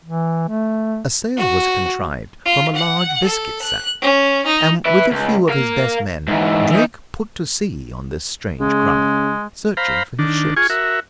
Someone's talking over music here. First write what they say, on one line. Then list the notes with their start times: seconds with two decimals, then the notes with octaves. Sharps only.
A sail was contrived from a large biscuit sack, and with a few of his best men Drake put to sea on this strange craft, searching for his ships.
0.04 E3
0.49 A3
1.37 F#4
2.45 F4
2.75 F#5
3.23 A4
3.61 F#6
4.01 C#4
4.46 D#4
4.85 E4 B4
5.11 C#2
5.49 A#4 F5
6.28 G#2 E3
6.71 E3 D#4
8.60 C#3 G#3
9.77 C5 F5 A#5 B5
10.19 D#3 D4
10.57 F4 G#4 G#5 C#6
10.70 F#4 A#4 E5